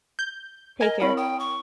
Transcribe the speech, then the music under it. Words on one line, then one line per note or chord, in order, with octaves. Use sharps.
Take care.
G6
A#4 D#5 G#5
C4 E4 C#5 B5
G5 D#6
C#6